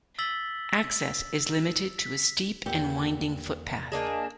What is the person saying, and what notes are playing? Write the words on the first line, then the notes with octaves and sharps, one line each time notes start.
Access is limited to a steep and winding footpath.
E6 A6 B6 F#7 G7
B6
E2 A#2 G4 F#5
A#3 D4 G#4 D#5 A5